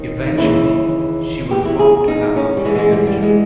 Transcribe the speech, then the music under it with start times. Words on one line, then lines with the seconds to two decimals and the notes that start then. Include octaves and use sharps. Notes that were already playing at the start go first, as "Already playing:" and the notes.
Eventually, she was found to have a finger injury.
Already playing: D#2 D#3
0.27 D#4
0.37 D#2 C#3 E3 E4
1.51 E2 B2 G4
1.65 E4
1.79 G#4
2.08 D#4
2.36 C#4
2.57 G3
2.65 G#2 E3 G#3
2.79 G#3
2.93 G3
3.07 G3
3.22 G#3